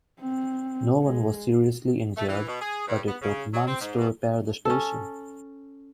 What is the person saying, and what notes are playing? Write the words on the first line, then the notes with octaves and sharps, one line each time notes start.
No one was seriously injured, but it took months to repair the station.
C4
G#3
A3
E3
B2
G#4
G2
B3
C#3
F#3
C4
G#2
B2
C#4 A4